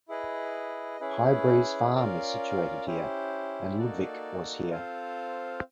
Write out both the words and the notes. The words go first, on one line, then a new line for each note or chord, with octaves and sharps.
High Breeze Farm is situated here... and Ludwik was here.
E4 G#4 B4 D#5
C#4 E4 G#4 B4
C#4 F4 A#4 D5 F5
C#4 E4 G4 C5
A#3 D#4 F#4 A4 D5
C4 F4 A4 C5 F5